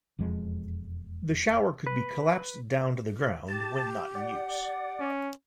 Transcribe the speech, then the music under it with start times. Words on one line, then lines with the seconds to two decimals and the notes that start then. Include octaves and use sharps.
The shower could be collapsed down to the ground when not in use.
0.19 E1 F2 F3 G#3
1.87 B4
3.48 G4 A5
4.15 D5 F#5
5.00 C#4